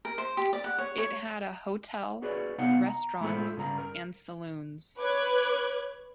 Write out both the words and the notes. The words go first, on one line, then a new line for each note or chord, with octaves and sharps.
It had a hotel, restaurants, and saloons.
A#4
C5
G4
D5
F#5
C#5
C#5
F#4 G#4 B4 C#5 D5
C3 B3 D#4 D#5 F5 F#5
A#5
A2 G#3 E4 F4 A4 C5
G2 C#3 G4 A#5
A#4
B4 C#5 D6 F#6 G#6